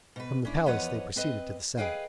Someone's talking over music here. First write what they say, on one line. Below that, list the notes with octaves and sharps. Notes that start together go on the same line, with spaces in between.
From the palace they proceeded to the senate.
B2 B4
C#4 D4 E4
E2 F3 B4 C#5 D#5 F#5
C4 B4 D#5
G#4 A4 B4 D#5 F5 G5